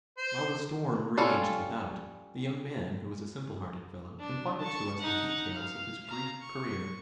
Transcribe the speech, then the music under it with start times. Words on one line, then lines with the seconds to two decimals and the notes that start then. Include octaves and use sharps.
While the storm raged without, the young man, who was a simple-hearted fellow, confided to us the details of his brief career.
0.18 C5
1.17 G3 C#4 F4 A4
4.19 D4
4.59 A5 C#6
4.99 D#4 F#5
5.54 F5
6.06 F5 A#5
6.40 C#6